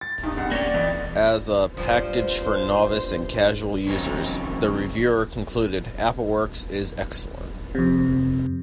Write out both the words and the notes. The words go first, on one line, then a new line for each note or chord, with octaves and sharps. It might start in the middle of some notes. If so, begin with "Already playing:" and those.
As a package for novice and casual users, the reviewer concluded, "Appleworks is excellent".
A6
G2 D#4
C2 F#5
A#3 C#4 G4 D5
F2 E3
G2 F3 C5
C#3 E3 F#3 A#3 C4 D#4
F2 C3